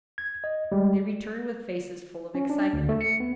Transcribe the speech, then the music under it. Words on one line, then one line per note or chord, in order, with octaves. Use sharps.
They returned with faces full of excitement.
G#6
D#5
G3 G#3
C#4
D4
D2
A3
C#7
B3